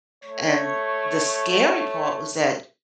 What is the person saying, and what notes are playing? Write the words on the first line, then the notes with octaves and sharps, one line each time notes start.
and the scary part was that,
A3 C#5